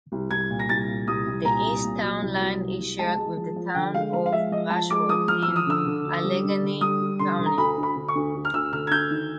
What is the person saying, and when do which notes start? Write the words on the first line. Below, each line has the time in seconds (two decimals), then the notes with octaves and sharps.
The east town line is shared with the town of Rushford in Allegany County.
0.12 C2
0.30 C2 G#6
0.50 A#2
0.59 A#6
0.69 C2 A6
0.88 A#2
1.07 C2 D#6
1.26 C2
1.45 A#2 A#5
1.65 C2
1.84 A#2
2.03 F#3
2.22 C2
2.41 F#3
2.60 C2
2.80 C2
2.99 G#3 A5
3.18 G#3
3.37 F3
3.56 F3
3.75 D3 G5
3.94 G#3 F5
4.13 F3 F5
4.26 F5
4.32 G#3 E5
4.52 F3 D#5
4.70 F3 A5
4.90 G#3 D6
5.09 F3 D#6
5.28 F3 F6
5.42 E6
5.48 F3
5.56 D#6
5.67 D3 E6
5.86 D3
6.05 D2
6.24 G3
6.43 D3
6.62 D3
6.81 G3 D#6
7.01 G3
7.19 D3 C6
7.39 D3
7.46 A#5
7.58 D2 B5
7.78 D2
7.83 B5
7.96 D3
8.08 C#6
8.16 D2
8.35 D2
8.45 F6
8.53 D2 E6
8.73 D3 F6
8.87 G#6
8.91 D2 G6
9.11 D#3